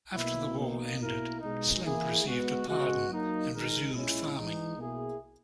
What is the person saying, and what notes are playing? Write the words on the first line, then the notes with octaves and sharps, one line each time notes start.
After the war ended, Slemp received a pardon, and resumed farming.
B2 A#3 E4
B2 A#3 D#4
B2 A#3 E4 A#4
B2 G#3 D#4
E3 A#3 E4 G#4
G#3 B3 F#4
C#3 G#3 B3 F#4
F#3 A#3 D#4
D#3 G#3 D#4 A#4
A#2 G#3 C#4 E4
E3 G#3 D#4
B2 A#3 E4 G#4